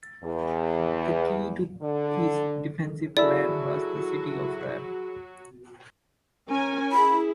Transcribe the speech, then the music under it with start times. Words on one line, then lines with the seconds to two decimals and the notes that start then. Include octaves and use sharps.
The key to his defensive plan was the city of Raab.
0.23 E2
1.82 D3
3.17 F#3 E4 F#4 G#4 A4 D5 B5 E6
6.49 C#4 A#4 G#5
6.92 E4 G#4 B5